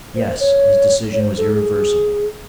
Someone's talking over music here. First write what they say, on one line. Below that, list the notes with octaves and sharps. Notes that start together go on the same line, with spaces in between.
Yes: his decision was irreversible.
C5
C5
C#5
C#5
C5
A4
G#4